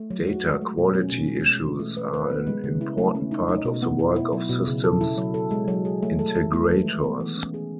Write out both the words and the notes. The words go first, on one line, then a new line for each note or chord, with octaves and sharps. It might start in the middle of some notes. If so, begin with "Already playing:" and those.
Data quality issues are an important part of the work of systems integrators.
Already playing: A3
F#3
F#4
G#3
A3
B2
C#4
B2
G#3
G#3
E3
A3
B4
B4
B3
G#3
C#3
E4
A3
C#4
D#4
D#4
B2
B3
E4
E4
F#3
B2
C#3
A4
E4
F#3
A4
G#3
F#3
G#4
A3
A4
D#3
A3
E3
G#3
B3
E3
C#4
G#4